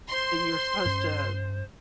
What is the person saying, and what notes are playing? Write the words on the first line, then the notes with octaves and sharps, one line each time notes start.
that you're supposed to
C5 C6
G2 C#4